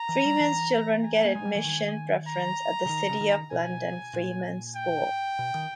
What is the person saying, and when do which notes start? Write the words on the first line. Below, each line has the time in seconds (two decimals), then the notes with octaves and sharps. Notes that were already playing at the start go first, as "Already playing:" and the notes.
Freemen's children get admission preference at the City of London Freemen's School.
Already playing: A#5
0.09 E3
0.25 G3
0.40 E3
1.03 G#5
1.25 A#3
1.35 G#3
1.45 G3
1.55 E3
1.64 D#3
2.28 A#5
2.86 C#3
2.89 D#3
3.09 C#3
3.21 D#3
3.51 B2 G#5
4.13 A#2
4.76 G5
5.39 B2
5.54 D#3